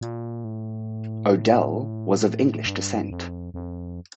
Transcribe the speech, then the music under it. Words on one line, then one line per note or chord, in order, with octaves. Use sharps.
Odell was of English descent.
A#2
A2
G2
F2
F2